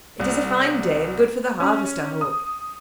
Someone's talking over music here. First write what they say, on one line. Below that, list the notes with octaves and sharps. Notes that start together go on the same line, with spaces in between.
It is a fine day, and good for the harvest, I hope.
C2
C#4
D#6